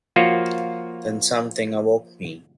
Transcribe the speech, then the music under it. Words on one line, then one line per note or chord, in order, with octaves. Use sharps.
Then something awoke me.
F3 A#3 F4 F#4 C#5